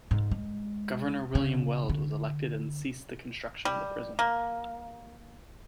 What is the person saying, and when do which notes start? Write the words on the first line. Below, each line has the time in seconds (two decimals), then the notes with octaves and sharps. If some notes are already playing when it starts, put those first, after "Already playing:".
Governor William Weld was elected and ceased the construction of the prison.
0.11 G#2
0.31 G#3
1.35 C#3
1.89 D3
3.65 G3
4.19 A#3